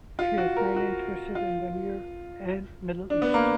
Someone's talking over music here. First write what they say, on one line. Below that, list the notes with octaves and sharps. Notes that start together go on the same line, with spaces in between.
She is mainly interested in the near and Middle East.
F4
F#4
A#4
F#4
F4
D4
B3
A#3